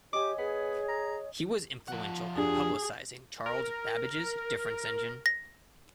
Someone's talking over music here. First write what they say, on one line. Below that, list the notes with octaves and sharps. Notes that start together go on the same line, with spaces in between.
He was influential in publicising Charles Babbage's difference engine.
G4 C#5 D#5 G#5 D6
B3 G#4
A#5
F3 F#5
F2 D4 G4 G#4
A#4
A#6